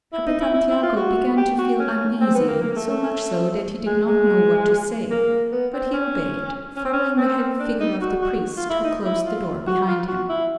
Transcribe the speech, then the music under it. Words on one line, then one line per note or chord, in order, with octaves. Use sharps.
Capitan Tiago began to feel uneasy, so much so that he did not know what to say; but he obeyed, following the heavy figure of the priest, who closed the door behind him.
E4
D#4
E4
E4
E4
F4
F#4
G4
F#4
C#4
C4
B3
A#3
A#3
A#3
A3
A3
G#3
G#3
A#3
B3
C4
C#4
C#4
C4
C#4
C4
D4
D#4
F#4
F#4
F4
E4
D#4
E4
F4
F#4
F4
F#4
E4